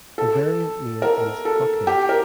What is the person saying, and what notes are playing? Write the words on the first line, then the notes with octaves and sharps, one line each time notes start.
A variant name is "Buckhead".
A4
A#4
A4
G4
A#4